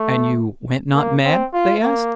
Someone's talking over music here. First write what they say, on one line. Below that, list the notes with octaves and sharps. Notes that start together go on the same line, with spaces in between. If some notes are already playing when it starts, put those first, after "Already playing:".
"And you went not mad?" they asked.
Already playing: A3
A#3
C4
F4
A#3